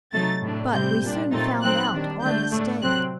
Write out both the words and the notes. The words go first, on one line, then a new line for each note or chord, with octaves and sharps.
But we soon found out our mistake.
C3 F#3 A3 D#4 A6
A2 A3 D4
C3 G3 C4 G6
A#2 G3 D4
A#2 F#3 A3 C4 D#4 A6
F#3 C4 D#4 F#6
D#3 G3 D4
D3 A3 D4 G6
A2 A3 D4
C3 F#3 C4 F#6